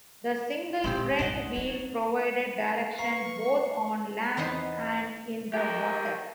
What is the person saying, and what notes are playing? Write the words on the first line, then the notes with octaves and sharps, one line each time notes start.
The single front wheel provided direction, both on land and in the water.
A#2 D3 G#3 C4 G4
C2 G2 D#4 D#5 F#5
F#3 C#4 D#4
B4 F5 A#5 C#6 C7
E2 B3 D#4 B4 C5
G4 A#4